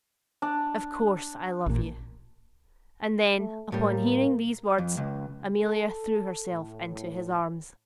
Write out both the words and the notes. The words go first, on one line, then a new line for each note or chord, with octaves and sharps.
"Of course I love you." And then, upon hearing these words, Amelia threw herself into his arms.
D4
A1 A#2
A3
A2 G3 A#3
F2
C#2
A4
A2